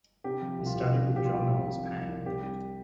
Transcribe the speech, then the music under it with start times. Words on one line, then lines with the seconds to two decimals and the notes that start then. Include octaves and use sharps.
He studied with John Knowles Paine.
0.24 C3 G4
0.42 F3
0.58 C2
0.66 F4
0.75 C2 G4
0.91 C3
1.09 F3
1.16 G4
1.25 C2 F4
1.42 C2
1.59 C3
1.76 F3
1.92 C2
2.08 C2
2.26 C3 G4
2.43 G3